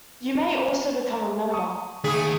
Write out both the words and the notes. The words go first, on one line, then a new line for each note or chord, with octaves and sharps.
You may also become a member.
A5 C#6 D#6
D#2 A3 G#4 D#6 B6